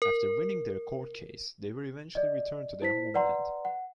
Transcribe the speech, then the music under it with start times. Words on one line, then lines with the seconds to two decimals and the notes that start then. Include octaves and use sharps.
After winning their court case, they were eventually returned to their homeland.
0.02 A#4
2.15 D5 D#5
2.82 E4 C5 B6
3.14 B4 D5 F#5 A#5 C6
3.65 F#5